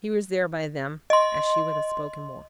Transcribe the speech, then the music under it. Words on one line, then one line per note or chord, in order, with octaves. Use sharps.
He was there by them as she would have spoken more.
D#5 C6